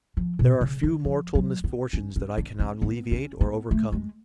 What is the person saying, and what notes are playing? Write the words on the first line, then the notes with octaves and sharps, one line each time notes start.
There are few mortal misfortunes that I cannot alleviate or overcome.
F3
B2
C#3
D3
F3
F#3
B3
C#4
C#4
D4
C#4
B3
C#4
B3
A3
G#3